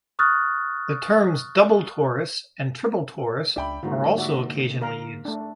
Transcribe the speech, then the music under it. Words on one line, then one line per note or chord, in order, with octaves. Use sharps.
The terms double torus and triple torus are also occasionally used.
C#6 D#6 F6 F#6 A6
C#2 D4 D5 E5 G5 B5
G#2 D3 G3 A#3 F4 F#4
F#4 D5 E5
A#4 F5 A#5
A3 D4